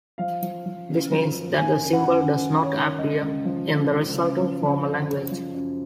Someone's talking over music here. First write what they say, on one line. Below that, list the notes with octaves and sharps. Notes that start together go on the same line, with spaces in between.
This means that the symbol does not appear in the resulting formal language.
F3 F5
F3
F3
C#3
F3
F#2
D#3 G#5
F#2
F#5
F#2
F#2
D#3
C#5
D#3
C#2 D#5
C#2
F3
C#3
C#2
C#3
F3
F3
F#2
F#2
F3
F#2